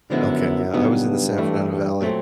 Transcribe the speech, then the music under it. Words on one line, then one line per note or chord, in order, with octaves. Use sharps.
Okay, yeah, I was in the San Fernando Valley.
F#2 D3 F3 G#3 B3 E4
G2 C#3 F#3 B3 D#4 F#4
G2
A2 E3 A3
G2
A#2 F#3 A3 C4